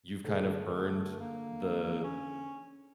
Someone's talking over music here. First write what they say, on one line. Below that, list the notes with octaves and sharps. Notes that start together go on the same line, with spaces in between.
you've kind of earned the
D3 A3 G#4
A#3
C#4